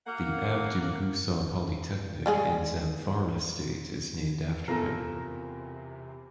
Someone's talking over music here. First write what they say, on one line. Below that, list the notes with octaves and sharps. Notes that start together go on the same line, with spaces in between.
The Abdu Gusau Polytechnic in Zamfara state is named after him.
A#3 F#5
G3 G#3 G#4
E2 C3 F4 A4 A#4